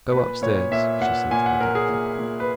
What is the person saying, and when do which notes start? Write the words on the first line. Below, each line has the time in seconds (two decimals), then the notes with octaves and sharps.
"Go upstairs," she said to the doctor.
0.12 A#2 B4
0.42 A#2 C#5
0.72 A#2 E5
1.01 A#2 F#5
1.31 A#2 G#5
1.46 F#5
1.60 A#2 A#4
1.75 G#4
1.89 A#2
2.19 A#2
2.40 B4